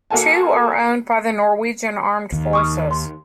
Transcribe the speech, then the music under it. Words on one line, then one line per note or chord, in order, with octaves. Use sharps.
Two are owned by the Norwegian Armed Forces.
A#3 F#4 A4 G#5 A5
D#2
C#6 D#6 F6
C6